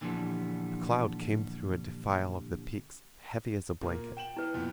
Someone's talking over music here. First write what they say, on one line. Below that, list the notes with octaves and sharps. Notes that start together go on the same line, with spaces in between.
A cloud came through a defile of the peaks heavy as a blanket.
A#2 D3 E3 F3 G3 B3
A#2 A#3
G5 E7 F#7
E4 B4
F2 A#2 B3